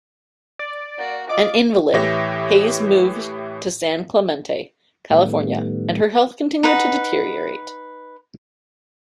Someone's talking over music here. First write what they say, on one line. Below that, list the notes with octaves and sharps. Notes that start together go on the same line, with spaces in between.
An invalid, Hayes moved to San Clemente, California and her health continued to deteriorate.
D5
A#3 F#4
F4 D5 D#5 D6
A2 E3 G4 C#5 E5 A#6
A2 D#3 G3 A3 B3
D#4 B4 F#5